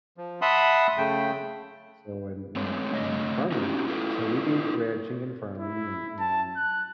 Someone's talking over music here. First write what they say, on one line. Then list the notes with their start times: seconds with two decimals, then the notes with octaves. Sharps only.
Um, so, and and and a farmer. So, we do ranching and farming and and,
0.17 F3
0.42 E5 F#5 A5 B5 C6 D#6
0.98 C#3 A3 G5
2.56 G#3 A3 C4 C#5
2.93 C#3 A3 C#5 D#5
3.52 C#4 D#4 E4 F#4 G4
3.87 E4 F4 A4 B4
5.58 E4
6.20 A5
6.56 F#6